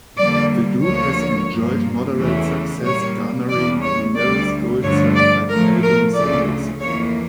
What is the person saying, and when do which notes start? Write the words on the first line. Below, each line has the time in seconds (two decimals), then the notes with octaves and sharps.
The group has enjoyed moderate success garnering numerous gold-certified albums in Mexico.
0.17 F2 D3 G3 A#3 D5
0.84 D2 D3 F3 A#3 C#5
1.51 G2 F3 A#3
2.17 E2 C#3 E3 A3
2.83 A#2 G3 A#3 C#5
3.49 E2 C#3 G3 D5
3.83 C#5
4.16 D2 D3 G3 D5
4.82 G2 D3 F3 A3 C#5
5.16 D5
5.49 A2 F3 A3 A#4
5.82 A#4
6.15 D2 C#3 F3 A3 D5
6.81 F2 E3 A#3 C#5